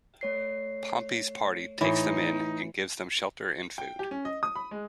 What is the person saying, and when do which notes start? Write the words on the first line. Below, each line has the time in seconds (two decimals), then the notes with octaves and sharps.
Pompey's party takes them in and gives them shelter and food.
0.21 A3 C#5 C7
1.81 A2 E3 D#4
3.78 G5
3.99 G4
4.11 C#4
4.25 D#5
4.43 D#6
4.56 B5
4.71 G#3